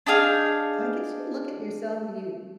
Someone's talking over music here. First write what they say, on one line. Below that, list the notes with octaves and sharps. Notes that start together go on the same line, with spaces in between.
I guess you look at yourself and you
D4 D#4 G#4 F5